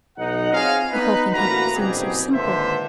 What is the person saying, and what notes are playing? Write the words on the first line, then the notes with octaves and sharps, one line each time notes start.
The whole thing had seemed so simple.
B1 D#4 F#5
C4 F4 G#4 C#5 D#5 F5
B3 D#4 B4
A1 D2 A#3 F#4 B4 A#5
F#1 G2 B2 C4 G4 G#4
G#1 A#2 D3 B4 C5 E5